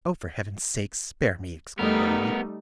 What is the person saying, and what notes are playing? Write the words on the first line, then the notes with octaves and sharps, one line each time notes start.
'Oh, for Heaven's sake, spare me!' exclaimed Emily.
G3 A3 B3 D#4 A#4